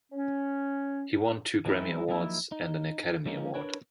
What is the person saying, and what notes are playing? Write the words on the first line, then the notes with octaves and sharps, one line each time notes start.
He won two Grammy Awards and an Academy Award.
C#4
E3 F#3 G#3 C4 D#4 E4
F3 F#3 A#3 D#4 E4
D#4
D3 F3 G#3 A#3 C#4 D#4
D4 A#4 B4 C#5